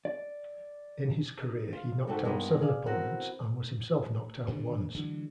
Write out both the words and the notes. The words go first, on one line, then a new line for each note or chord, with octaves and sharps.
In his career he knocked out seven opponents and was himself knocked out once.
D5
D#4
F4 F5
G#2 G3 A3 C4 F#4 A4
G2 A#2 G#3 A#3 B3 D#4
G#4 D5 F5
B3 C4 E4 F#4 A#4
G2 A#2 D3 D#3
D3 E3 F#3 G#3